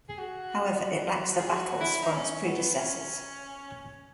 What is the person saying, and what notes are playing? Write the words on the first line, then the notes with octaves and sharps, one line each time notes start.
However, it lacks the battles from its predecessors.
G#4
F#4
G#4
F#4
E4
D#4
C#4
B3
C#4